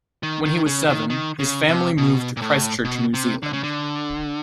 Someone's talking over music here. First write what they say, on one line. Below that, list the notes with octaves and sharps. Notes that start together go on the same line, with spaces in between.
When he was seven his family moved to Christchurch, New Zealand.
D#3
D#3
C#3
D#3
D#3
C#3
C3
B2
A#2
A2
B2
C3
D3
C#3
D3